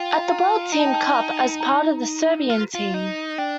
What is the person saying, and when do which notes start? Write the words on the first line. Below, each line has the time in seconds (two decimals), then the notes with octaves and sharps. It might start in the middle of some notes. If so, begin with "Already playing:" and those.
At the World Team Cup as a part of the Serbian team.
Already playing: F4 G5
0.28 A#5
0.72 D#4 A#5
0.79 A5
0.87 G5
0.94 A5
1.16 A#5
1.61 A#5
2.50 F4
2.75 F4
2.94 D#4
3.38 D4 G5